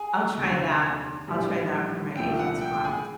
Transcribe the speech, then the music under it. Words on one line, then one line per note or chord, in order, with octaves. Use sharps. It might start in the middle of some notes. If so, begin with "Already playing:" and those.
I'll try that, I'll try that for my asian squats.
Already playing: G#4 G#5
F1 D#2 D3
A#1 A2 E3 G3
C2 A#2 F3 A3 G5
F#5
G5
G5
G#4 G#5